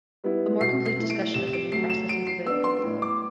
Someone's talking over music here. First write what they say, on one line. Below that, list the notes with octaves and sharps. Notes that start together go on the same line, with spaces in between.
A more complete discussion of the new process is available below.
G3 B3 E4
B2 C7
C7
A3 E4
D7
C3 E7
E7
D7
F#3 A3 C7
E7
F#3 D7
C7
B3 D4 E6
C6
A2
D6